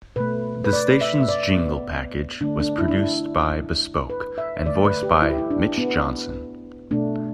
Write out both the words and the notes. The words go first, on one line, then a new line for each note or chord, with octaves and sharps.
The station's jingle package was produced by Bespoke, and voiced by Mitch Johnson.
B2 A3 B4
B4
D5
E5
E5
D5
B3
D3 A3 D4
D4
E4
D4
E4
B4
E5
D3 A3 D5
B4
G4
E4
G4
E4
D4
B3
B2 A3 D4